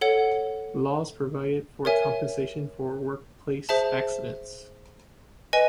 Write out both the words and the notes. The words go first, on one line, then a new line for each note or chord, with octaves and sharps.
Laws provided for compensation for workplace accidents.
A4 C#5 F#5
A#4 C#5 E5 G#5
G#4 C5 E5 A5
B4 D#5 G#5